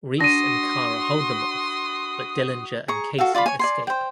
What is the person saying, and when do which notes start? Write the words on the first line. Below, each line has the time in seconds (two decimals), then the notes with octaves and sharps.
Reese and Kara hold them off but Dillinger and Casey escape.
0.21 D4 F#4 C6 D#6 A#6 D#7
2.88 G#4 A#5 C#6
3.18 F#4 A4 F5
3.35 F4 D5 F5 B5
3.46 C#5 G#5
3.59 D5 G#5 C6
3.87 C5 G5